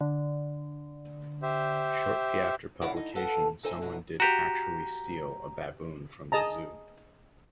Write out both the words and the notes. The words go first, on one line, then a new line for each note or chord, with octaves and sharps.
Shortly after publication someone did actually steal a baboon from the Zoo.
D3
G4 C5 E5
F#2 D3 E4 D5 F5 F#5
D#4
A4 B4 F5 F#5 A5
D#4 A4 C5 E5 G#5
G#2 B2 F#3
F#4 G4 A#5
G#4 D#5 A5 A#5